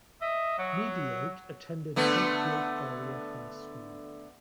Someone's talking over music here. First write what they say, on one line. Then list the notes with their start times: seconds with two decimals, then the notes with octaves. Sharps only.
Mediate attended Hempfield Area High School.
0.21 D#5 E5
0.57 F#3
1.96 D3 A3 B3